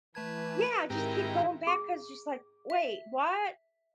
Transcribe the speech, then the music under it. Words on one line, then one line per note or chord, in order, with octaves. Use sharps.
Yeah, I just keep going back 'cause she's like, "Wait, what?"
E3 A3 B4 A5 G#6
G#2 D#3 C4 D#4 E4 G4 A#4 A#5
G#4
E5